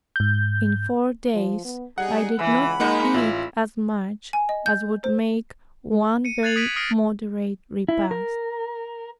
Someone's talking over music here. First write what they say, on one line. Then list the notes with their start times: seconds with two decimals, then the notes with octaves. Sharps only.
In four days I did not eat as much as would make one very moderate repast.
0.16 G#2 G6
1.34 F3
1.64 B3
1.98 G3 D#4 G#4 F#5
2.39 C#2 E3 B5
2.80 G#3 A#3 D#4 F#5
3.14 A1 E4 F4
4.33 G#5
4.49 D#5
4.66 G6
5.04 C5
6.25 C#7 D#7
6.43 F#6 G#6 A6 C7 F7 F#7
6.56 D#6 G#6 B6 D7 D#7 F#7
6.76 D#6 F6 A#6 C7 D7
7.89 E4
8.11 A#4